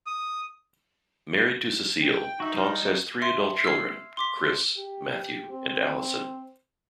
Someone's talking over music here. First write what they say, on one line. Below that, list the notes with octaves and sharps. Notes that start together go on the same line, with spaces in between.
Married to Cecile, Tonks has three adult children, Chris, Matthew, and Alison.
D#6
G5
D#4 F#4 E5
G3 D5 F6
C#4 G6
E5 C6
E6 F6 G#6 C7
C6 D6 B6
G4
C4